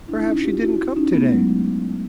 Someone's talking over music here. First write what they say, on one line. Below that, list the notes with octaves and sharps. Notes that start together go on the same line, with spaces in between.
"Perhaps she didn't come today."
D4 E4
E4
C#4 D#4
F4 G4
E4 F#4
C#4 D#4
A3 B3
F#3 G#3